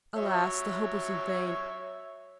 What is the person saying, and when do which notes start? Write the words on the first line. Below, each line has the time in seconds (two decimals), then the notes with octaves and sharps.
Alas! the hope was vain.
0.16 F#3 C#5 E5